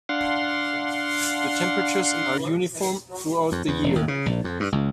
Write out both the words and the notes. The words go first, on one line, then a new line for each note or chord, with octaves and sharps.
The temperatures are uniform throughout the year.
D4 F5 F#5 C6
F2
E2
E1
D#2
C#3
A#1
F2
G2
C#2